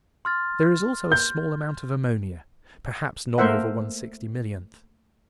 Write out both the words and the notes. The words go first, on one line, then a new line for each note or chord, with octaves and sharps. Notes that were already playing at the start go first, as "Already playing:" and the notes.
There is also a small amount of ammonia, perhaps not over one-sixty-millionth.
C6 F6 A6
G6
A3 A#3 A#4 C5 E5 F#5